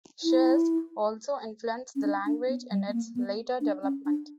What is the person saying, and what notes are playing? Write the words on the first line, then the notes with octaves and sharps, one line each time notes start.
Czech also influenced the language in its later development.
E4
C#4
D4
D4
B3
G3
B3
A#3
B3
D4
C#4
D4